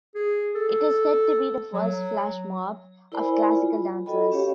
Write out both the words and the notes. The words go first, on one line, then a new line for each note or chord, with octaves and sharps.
It is said to be the first flashmob of classical dancers.
G#4
A4
F#3
E4 A#4 C5 D5 G#5 B5
F4
F4 F#4 A4 D#5 G5 B5
C#4 G4 C#5 F5